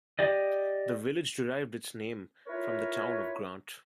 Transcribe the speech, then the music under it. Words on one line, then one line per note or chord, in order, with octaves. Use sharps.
The village derived its name from the Town of Grant.
G4 D5 D#5
E4 F4 A#4 B4 C#5